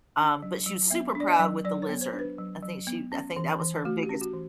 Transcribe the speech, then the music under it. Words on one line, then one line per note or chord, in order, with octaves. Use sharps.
um, but she was super proud with the lizard. I think she I think that was her biggest
D4
F#3
F#3
B3 E5
D4
D5
D#5
F#3
F#3 D5
C#5
B3
C5
D4
B4
F#3
F#3
B3
C#4
E3
E3
A3 F#4
G4
C#4
F#4
E3